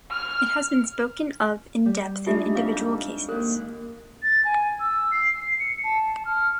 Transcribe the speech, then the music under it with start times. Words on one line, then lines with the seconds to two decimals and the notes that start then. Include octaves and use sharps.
It has been spoken of in depth in individual cases.
0.11 F6
1.86 G3
2.26 G#3 D4 D#4 F4 G4 E5
2.55 F2 F5 D6
3.29 D#2 A#4 F#6
4.23 A6
4.45 G#5
4.80 E6
5.12 C7
5.60 C#7
5.84 A5
6.25 F6